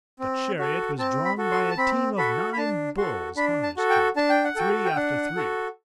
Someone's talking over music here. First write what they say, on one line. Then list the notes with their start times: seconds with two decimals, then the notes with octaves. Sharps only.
The chariot was drawn by a team of nine bulls harnessed to it, three after three.
0.19 C4
0.59 F#4 A4
0.98 C4 A5
1.25 B5
1.38 F#4 A4
1.52 C6
1.70 A5
1.78 C4 B5
2.17 F#4 A4 B5
2.53 B5
2.58 D4 A5
2.97 F#4 A4 C6
3.36 D4 B5
3.63 A5
3.77 F#4 A4
3.90 G5
4.16 D4 A5
4.30 G5
4.44 F#5
4.56 F#4 A4 G5
4.85 G5
4.96 D4 F#5
5.36 F#4 A4